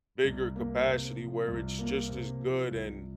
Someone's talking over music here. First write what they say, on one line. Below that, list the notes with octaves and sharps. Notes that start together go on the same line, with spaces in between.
bigger capacity where it's just as good, and
C2
A#3
C3
F3
C2
A#3
C3
F3
C2